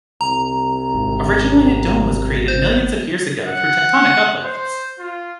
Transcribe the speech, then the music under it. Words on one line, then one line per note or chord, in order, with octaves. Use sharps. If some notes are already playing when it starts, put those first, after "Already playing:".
Originally a dome was created millions of years ago through tectonic uplifts.
C2 A#5
G#1
C5
F#5
C5
F4